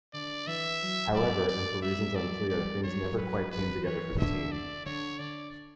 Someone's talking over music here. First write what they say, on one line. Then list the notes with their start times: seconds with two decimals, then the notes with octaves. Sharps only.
However, and for reasons unclear, things never quite came together for the team.
0.14 D3 D5
0.47 E3 E5
0.81 F#3
1.15 F#3 D5
1.48 D5
1.82 G3 E5
2.15 F#3 D5
2.49 G3 D5
2.83 F#3 C#5
3.17 F#3 B4
3.51 F#3 B4
3.84 E3 C#5
4.18 D3 E5
4.52 D5
4.86 D3 C#5
5.19 D3 D5